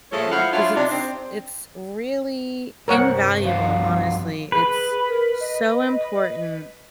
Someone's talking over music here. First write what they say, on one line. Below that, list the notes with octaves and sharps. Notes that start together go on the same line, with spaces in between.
yeah, ‘cause it's it's really invaluable, honestly, it's so important.
F3 G#3 A3 G#4 A4 C#5
E4 F4 C5 F5 F#5
F#3 D4 E4 F4
C3 D4 D#4
C4
C2 G2 A#4 C5 C#5 F#5
D3 F3 F#4 F5
G#4 B4
A#4
D#5